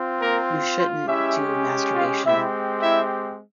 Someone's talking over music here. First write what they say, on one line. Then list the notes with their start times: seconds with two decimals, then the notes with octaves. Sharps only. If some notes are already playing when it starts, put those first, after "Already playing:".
You shouldn't do masturbation.
Already playing: C4 F4
0.21 A#3 A#4
0.78 C4 C5
1.08 G#3 C#4 E4 G4 E5
1.95 F4 F5
2.24 G#3 C4 E4 G4 E5
2.83 E4 E5